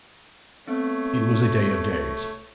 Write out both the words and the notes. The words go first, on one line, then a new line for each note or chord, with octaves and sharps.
It was a day of days.
A3 B3 C4 C#5